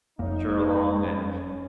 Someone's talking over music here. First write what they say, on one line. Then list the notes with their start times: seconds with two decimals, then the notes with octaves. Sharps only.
coach her along and
0.19 F1 F2 A#3 D#4
0.97 C#4